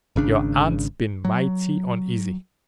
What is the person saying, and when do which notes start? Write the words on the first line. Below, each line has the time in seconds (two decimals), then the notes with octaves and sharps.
"Your aunt's been mighty uneasy."
0.16 G#1 C#3 D4
1.25 F#3